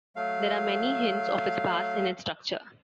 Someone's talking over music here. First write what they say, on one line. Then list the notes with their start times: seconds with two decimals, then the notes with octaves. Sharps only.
There are many hints of its past in its structure.
0.16 F#3 A3 F5